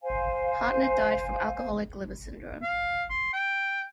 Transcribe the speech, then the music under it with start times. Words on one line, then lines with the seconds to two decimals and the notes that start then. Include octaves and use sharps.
Hartnett died from Alcoholic Liver Syndrome.
0.02 C5 F5 G#5
2.62 F5
3.10 C6
3.33 G5